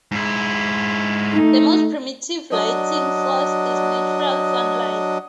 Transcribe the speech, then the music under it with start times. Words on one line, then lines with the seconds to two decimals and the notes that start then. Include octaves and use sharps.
The most primitive lighting source is natural sunlight.
0.12 G#2 E4
1.33 A3 D#4
2.52 F#3 D4 D#5